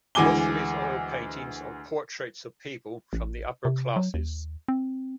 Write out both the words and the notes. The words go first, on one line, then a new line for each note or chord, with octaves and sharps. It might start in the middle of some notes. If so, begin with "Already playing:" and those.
Most of his oil paintings are portraits of people from the upper classes.
D2 E3 G#3 G#5 D6 G7
A1
C3
F#3
D#2
C4